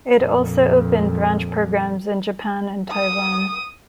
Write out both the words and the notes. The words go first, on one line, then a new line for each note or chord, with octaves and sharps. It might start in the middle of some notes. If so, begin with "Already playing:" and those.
It also opened branch programs in Japan and Taiwan.
F2 A#2
D#6